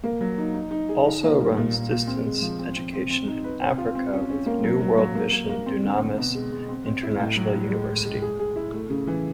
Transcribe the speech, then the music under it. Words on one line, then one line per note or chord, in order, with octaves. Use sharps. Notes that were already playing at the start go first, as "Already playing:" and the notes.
Also runs distance education in Africa with New World Mission Dunamis International University.
A#3
F#3
D#4
D#4
D#4
G#4
D#3
A#3
G3
A#2
A#2
A#2
C4
G#3
F3
C4
C4
C4
C4
D#4
B4
C4
F4
C4
C#4
C#4
A#3
F#3
F#3
F#3
A#3
A#3
A#3
C4
D3
C4
B2
G#3
G#3
C4
C4
E4
A2
F#3
A2
G#3
G#3
G#3
G#4
G#4
E4
A3
C#3
E3